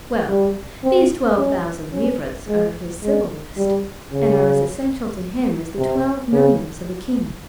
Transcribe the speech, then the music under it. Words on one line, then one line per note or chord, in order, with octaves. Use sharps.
Well, these twelve thousand livres are his civil list, and are as essential to him as the twelve millions of a king.
G3
C4
C#4
C#4
G#3
G#3
G3
C#3
C3
C#3